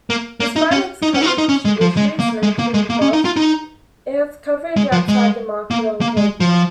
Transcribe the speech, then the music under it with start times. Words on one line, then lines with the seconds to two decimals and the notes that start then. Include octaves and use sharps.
Despite its coverage issues mentioned above, it has coverage outside the market on cable.
0.10 A#3
0.40 A#3
0.56 D#4
0.71 C#4
1.02 D#4
1.14 C#4
1.22 D#4
1.26 F4
1.38 D#4
1.49 C#4
1.65 G#3
1.81 F3
1.97 G#3
2.19 A#3
2.43 G#3
2.59 A#3
2.74 G#3
2.90 A#3
3.02 C#4
3.13 D#4
3.25 F4
3.36 D#4
4.77 G#3
4.92 F3
5.08 G#3
5.71 A#3
6.01 A#3
6.17 G#3
6.40 F3